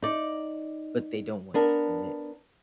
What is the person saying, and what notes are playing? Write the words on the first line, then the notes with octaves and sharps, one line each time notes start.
but they don't want to commit.
D#4 D5
B3 D4 A#4